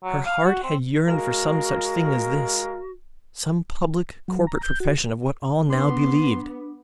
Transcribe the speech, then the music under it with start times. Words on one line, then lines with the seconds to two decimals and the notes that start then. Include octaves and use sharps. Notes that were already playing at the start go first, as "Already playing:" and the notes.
Her heart had yearned for some such thing as this--some public corporate profession of what all now believed.
0.04 F#3
0.26 F5
0.45 F#4
0.64 C4
1.08 G#3 F#4 A#4 F5
4.28 F#3
4.47 A#5
4.63 G6
4.80 F#4
5.70 B3 D4 C6